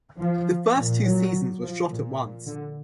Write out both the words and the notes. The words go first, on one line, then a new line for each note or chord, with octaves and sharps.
The first two seasons were shot at once.
F3
A#2
F#3
F3
A#2
D3